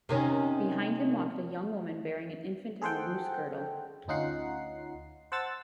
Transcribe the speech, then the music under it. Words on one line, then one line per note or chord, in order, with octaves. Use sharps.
Behind him walked a young woman bearing an infant in a loose girdle.
C3 D#3 C#4
G#4 A4 C5 F#5 G5
D2 C#4 D#4 F4 F#5 C7
C5 F#5 A5 E6 A6